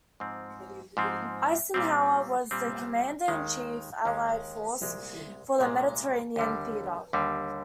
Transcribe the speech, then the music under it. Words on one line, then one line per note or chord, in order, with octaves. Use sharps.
Eisenhower was the Commander-in-Chief, Allied Force for the Mediterranean theatre.
G#2 F3 C4
G#2 F3 C4
A#2 G3 C4
A#2 G3 C4
D#2 D#3 G#3
D#2 D#3 G#3
C2 A#2 G#3
C2 A#2 G#3
D#2 D3 G3
D#2 D3 G3